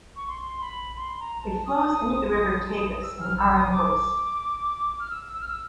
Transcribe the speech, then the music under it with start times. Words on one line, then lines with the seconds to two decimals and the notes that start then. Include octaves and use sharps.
It flows into the river Tagus in Aranjuez.
0.16 C#6
0.27 C6
0.61 B5
0.97 C6
1.20 A#5
1.42 A5
1.66 D#6
3.03 E6
3.21 F6
3.38 E6
3.55 D#6
3.72 D6
4.99 F6
5.10 E6
5.33 E6
5.41 F6
5.48 E6